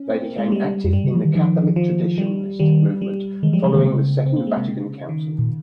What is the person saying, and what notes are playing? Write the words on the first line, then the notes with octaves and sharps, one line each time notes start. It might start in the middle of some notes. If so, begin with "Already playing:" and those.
They became active in the Catholic Traditionalist Movement following the Second Vatican Council.
Already playing: C#4
C4
A#3
G#3
G3
F2
G2 G3
C#3
F3
D#3
D#3 F3
F3
G3
D#3 G3
G3
D#3 G#3
F3 G3
F3 G#3
D#3 A#3
C#3 C4
C4
A#3
G#3
C3
C#3
D#3
A#2